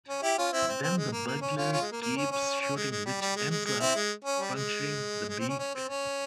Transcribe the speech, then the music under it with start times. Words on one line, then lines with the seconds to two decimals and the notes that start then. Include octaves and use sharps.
Then the burglar keeps shooting which ends up puncturing the beak.
0.08 C#4
0.22 E4 G4
0.38 C#4 F4
0.52 C4 E4
0.68 C4
0.82 C4
0.98 G#3
1.12 A#3
1.27 A#3
1.41 C#4
1.57 C#4 F4
1.72 C#4 F4
1.82 G#3
1.92 A#3
2.02 A#3
2.17 C#4
2.31 C#4
2.61 C#4
2.76 G#3
2.91 G#3
3.05 G3
3.21 G3
3.36 G#3
3.50 G#3
3.65 G#3
3.80 C4 E4
3.96 G#3
4.25 C#4
4.40 G3
4.54 G#3
5.29 G#3
5.39 C4
5.49 C#4
5.59 C#4
5.75 C4
5.89 C#4